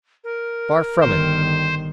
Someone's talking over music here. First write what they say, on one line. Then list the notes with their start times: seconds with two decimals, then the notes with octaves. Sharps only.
Far from it.
0.24 A#4
1.01 G1 D#3 C5